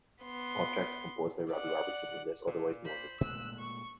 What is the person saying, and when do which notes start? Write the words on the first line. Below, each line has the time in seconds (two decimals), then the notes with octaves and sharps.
All tracks composed by Robbie Robertson unless otherwise noted.
0.23 B3 C6
1.51 D5 F#5
2.47 A#2
2.84 C5 B5
3.21 A#2 G#3 A3 E6 F#6
3.59 C#6